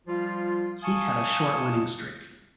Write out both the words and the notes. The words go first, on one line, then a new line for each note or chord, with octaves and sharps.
He had a short winning streak.
F3 G3 F4
F5 G#5 A5 C#6 D#6